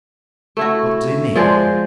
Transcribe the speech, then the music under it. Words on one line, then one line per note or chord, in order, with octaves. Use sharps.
"What do you mean?"
A3 E4 F#4
F3 G#3 C5 D5